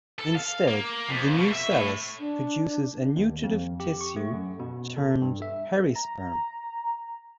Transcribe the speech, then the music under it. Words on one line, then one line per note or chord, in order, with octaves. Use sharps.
Instead, the nucellus produces a nutritive tissue termed "perisperm".
A4
F5
A#3
F2
B2
E5
A2
D4
D#2
F2
G4
C#6
A3
F#2
B2
A4
G2
E5
A#5